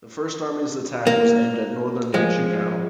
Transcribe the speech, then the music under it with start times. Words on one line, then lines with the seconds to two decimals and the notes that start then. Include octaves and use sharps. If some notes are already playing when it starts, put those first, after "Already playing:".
The First Army's attack was aimed at northern Manchukuo.
1.07 A#3
2.14 F3 G#3